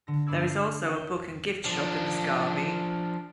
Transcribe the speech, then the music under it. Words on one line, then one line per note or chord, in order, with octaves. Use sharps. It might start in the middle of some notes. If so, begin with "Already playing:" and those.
There is also a Book and Gift Shop in the Scavi.
D3 A#6
G2 B3 D4 D5 E6 G#6
G6 G#6 C7
D#4 C#5 D#5 E5 F#5 G5
F3 D4